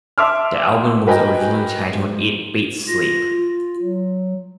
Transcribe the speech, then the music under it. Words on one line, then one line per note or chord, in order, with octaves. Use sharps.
The album was originally titled "It Beats Sleep".
E5 A5 C6 D6 E6 F6
F#4 A#4 B4 D#5 G5 G#5
G#2
F4 A#6
F4
F#3